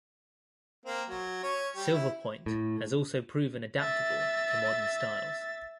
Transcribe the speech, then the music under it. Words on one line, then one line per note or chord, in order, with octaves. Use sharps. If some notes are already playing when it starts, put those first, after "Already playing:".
Silverpoint has also proven adaptable to modern styles.
A#3 C4
F#3
C#4 C#5
G3 G4
E4
A2
E5 A6